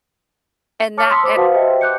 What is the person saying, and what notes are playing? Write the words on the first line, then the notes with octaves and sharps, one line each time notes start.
And that and
C#5 A5 D6 F6 A6 C#7
B5 C6 D#6 E6 B6
C5 D6
F#4 B4 C5 F5 F#5 A5
G4 C5 D#5 E5 G5
D6 F#6 G6 C#7